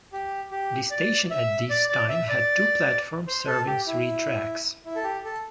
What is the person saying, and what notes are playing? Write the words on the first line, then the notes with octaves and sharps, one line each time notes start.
The station at this time had two platforms serving three tracks.
G4
G4
D5
E5
D5
D5
E5
D5
C5
A4
G4
E4
E4
A4
G4
A4